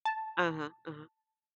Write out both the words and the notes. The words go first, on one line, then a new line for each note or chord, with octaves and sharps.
Uh-huh. Uh-huh.
A5